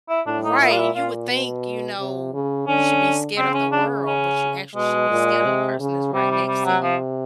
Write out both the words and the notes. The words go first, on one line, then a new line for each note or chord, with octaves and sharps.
Right. You would think, you know, you should be scared of the world, but you actually should be scared of the person that's right next to you.
E4
A2 D4
D#4
A#2 E4
F4
E4
A#2 F4
B2
C3
C#3
D3 C#4
C#3 C4
C#4
D4
C#4
B2 G#3
A#2
C3
C#3
C3 G3
G3
G3
F#3
F3